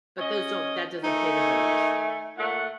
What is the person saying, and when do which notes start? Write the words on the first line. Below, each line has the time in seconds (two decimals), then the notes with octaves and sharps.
but those don't that doesn't pay the bills.
0.19 C#4 D#5
1.04 D#3 A3 D#4 G#5
2.37 A#2 A3 F#5